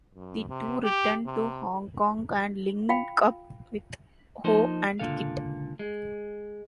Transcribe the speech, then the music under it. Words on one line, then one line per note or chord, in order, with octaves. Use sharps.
The two return to Hong Kong and link-up with Ho and Kit.
F#2
C3
G4
C3
F4 F5 G5 B5
F3 A#3 D#4 A4 C5
C#2 A#2 D3 E3 A4 F5
G#3